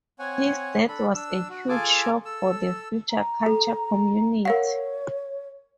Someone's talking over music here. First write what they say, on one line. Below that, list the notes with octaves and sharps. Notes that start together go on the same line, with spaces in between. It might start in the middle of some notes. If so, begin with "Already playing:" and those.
His death was a huge shock for the Future Culture community.
C4 C#5 F#5 G#5
D4 A4 B5
D4 E6
F#4
F4 G#4 A4 G#5 A5 D6
A4 E6
A#5
A4
A#4 C#5 F5 F#5